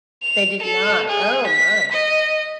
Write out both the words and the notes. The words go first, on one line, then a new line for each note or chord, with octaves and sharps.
They did not. Oh my.
F7
A4
G#4
B6
D#5